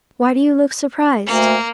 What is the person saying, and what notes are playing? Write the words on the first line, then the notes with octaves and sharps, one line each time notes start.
Why do you look surprised?
D2 A#3